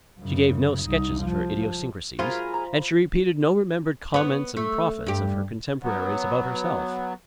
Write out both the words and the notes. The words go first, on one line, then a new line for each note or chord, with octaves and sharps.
She gave no sketches of her idiosyncrasies, and she repeated no remembered comments and prophets of her contemporaries about herself.
F#2 C#3
C2 D#4
F3
F4 F#4 G#4 A#4 C5 B5
A#5
B3 C#5
A3
G2 G4
F#3 B3